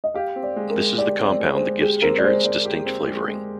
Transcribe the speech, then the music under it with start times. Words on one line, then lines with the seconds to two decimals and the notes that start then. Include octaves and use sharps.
This is the compound that gives ginger its distinct flavoring.
0.04 D#5
0.14 G4 F5
0.36 C4
0.43 D5
0.56 G#3
0.70 A#4
0.78 G#3
0.98 G4 D5
1.19 C4
1.26 D5
1.40 G#3
1.54 C5
1.61 G#3
1.81 G4 G#4
2.02 C4 A#4
2.18 D5
2.23 G#3 C5
2.44 G#3 D5
2.65 G4
2.86 C4
3.07 G#3
3.28 G#3